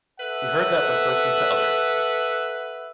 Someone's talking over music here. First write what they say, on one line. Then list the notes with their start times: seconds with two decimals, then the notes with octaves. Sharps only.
We heard that from person to others.
0.20 A4 B4 E5 F#5